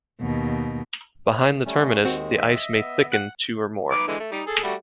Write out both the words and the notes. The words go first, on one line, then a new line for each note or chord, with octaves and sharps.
Behind the terminus, the ice may thicken to or more.
D#2 B2
G3 A3 C#4
D#2 D#3 G#3 C4 F#4
D#5 E5
B3
F#5 F#6
D#4 B4 D6
D3 E3 G#3
A3
G3 D#4
G#4 A4
G3 A3 F#4